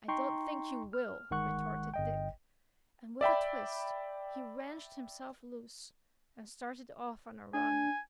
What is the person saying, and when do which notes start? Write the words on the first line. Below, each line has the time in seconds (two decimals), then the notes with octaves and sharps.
"I don't think you will!" retorted Dick, and with a twist he wrenched himself loose and started off on a run.
0.08 D#4 G5 A#5 C6 C#6
0.93 F6
1.31 G1 D#3 G#3 F#5 C#6 F#6
1.94 G1 D#5 G5
3.21 D5 E5 G5 B5
7.54 D4 G#5